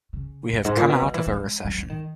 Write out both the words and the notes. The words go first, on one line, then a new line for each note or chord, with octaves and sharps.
We have come out of a recession.
C#3
F#2
G#2
A#2
B2
D#3
E3
G#3
F#3
E3
D#3